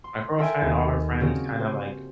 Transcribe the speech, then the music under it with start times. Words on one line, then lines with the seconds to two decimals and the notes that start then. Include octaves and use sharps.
my girlfriend, all her friends kind of, like,
0.04 C6
0.38 A4 A#4 E5 G5 G#5 A#5
0.61 D#2
1.20 C#3 C4 C#4 F#4 G4 A#4
1.60 C5